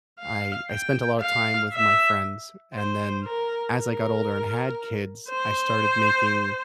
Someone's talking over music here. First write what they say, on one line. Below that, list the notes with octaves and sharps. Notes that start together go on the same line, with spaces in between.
I I spent a lot of time with my friends. And then, as I got older and had kids, I started making
F5
G5
F5
E5
C5
A#4
A#4
C5